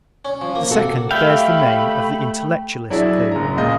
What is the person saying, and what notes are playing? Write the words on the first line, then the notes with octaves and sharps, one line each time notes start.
The second bears the name of the intellectualist theory.
C#4
F3
A#3
C3 F#4 A4
A3 G4 E5 F5 G5 B5
F#3 D4 E4 G#4
F#1 A#5
C#2 A#2 G#4 D#5 G6